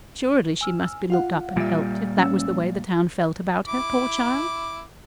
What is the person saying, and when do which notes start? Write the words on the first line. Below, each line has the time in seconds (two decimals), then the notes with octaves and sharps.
Assuredly she must be looked up and helped if that was the way the town felt about her, poor child!
0.61 G#5 E6 F6
1.10 F4 F5 F#5
1.56 A#2 G3 F4 E5
2.18 C#4 E6
3.67 E4 D6